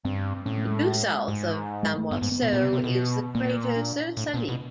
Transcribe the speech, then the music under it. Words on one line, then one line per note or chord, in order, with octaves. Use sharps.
Due south of Damoiseau is the crater Sirsalis.
G2 C4
A2 C#4
A3
G#3
G#2
G#3
A3
G2 B3
G#2
B3
A#2
A#2
C3
C3
B2
A#2 A#3
D4
A2
B2
A#2
B2